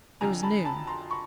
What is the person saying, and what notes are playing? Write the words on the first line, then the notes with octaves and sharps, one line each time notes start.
It was noon.
F2 D3 F3 G#5 A#5
A5 B5
A5 B5
A#5 C6
B5 C#6